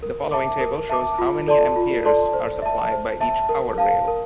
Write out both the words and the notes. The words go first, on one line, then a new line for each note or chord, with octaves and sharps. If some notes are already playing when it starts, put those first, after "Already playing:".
The following table shows how many amperes are supplied by each power rail.
A#4
E5 A5 D6
A#4
E5 A5 D6
F4
A4 D5 A5 C6
F4
A4 D5 A5 C6
C5
E5 A5
C5
E5 A5
A#4
F5 A5
A#4